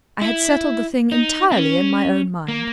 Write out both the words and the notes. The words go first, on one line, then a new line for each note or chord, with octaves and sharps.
I had settled the thing entirely in my own mind.'
E4
D#4
C4
C#4
A#3